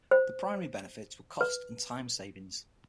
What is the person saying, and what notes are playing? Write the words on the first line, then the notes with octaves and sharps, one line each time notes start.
The primary benefits were cost and time savings.
C5
B4